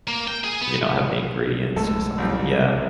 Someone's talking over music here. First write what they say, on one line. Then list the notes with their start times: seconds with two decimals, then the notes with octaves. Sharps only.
You don't have the ingredients or something. Yeah.
0.08 A#3
0.28 G5
0.44 G#4
0.61 B3
1.76 B1 G#3 A3 A4
2.18 A1 F2 G3